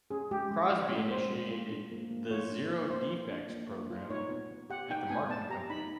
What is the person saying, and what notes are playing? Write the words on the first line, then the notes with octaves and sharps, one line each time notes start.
Crosby initiated the Zero Defects program at the Martin Company.
C#4 G#4
G#3 G4
G#3
F4
C#5
C#4
G#3 C5
G#3
F4
D4
A#3
A#3
F4 C#5
D4
A#3
A#3 C5
F4
D4
A#3
A#3
F4
D#4 C#5
B3
B3
G4 F#5
D#4 G5
B3 G#5
B3 A5
G4 A#5
D#4 B5